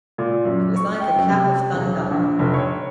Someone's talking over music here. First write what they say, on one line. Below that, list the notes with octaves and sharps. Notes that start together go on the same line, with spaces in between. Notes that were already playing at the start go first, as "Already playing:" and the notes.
It was like a clap of thunder.
A#2
F#2
C#6
G5
F#2
C3
E1
A#1
F1
C#5